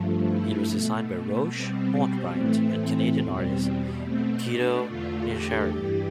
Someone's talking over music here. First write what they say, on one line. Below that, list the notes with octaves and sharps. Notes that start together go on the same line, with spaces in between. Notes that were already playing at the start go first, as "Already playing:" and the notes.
It was designed by Roch Montbriant and Canadian artist Guido Nincheri.
Already playing: G2 F3 A3
E4
B2 A3
B2 G3 C4
A2 E3 A3
E2 B2 G3
B2 A3 C4
D4
E2 D3 A3 F4
G4
G2 E3 G3 G4